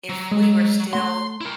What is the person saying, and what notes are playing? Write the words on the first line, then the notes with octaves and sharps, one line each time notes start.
if we were still
F#3
G#3
A3 F#5 C6
E4 A#4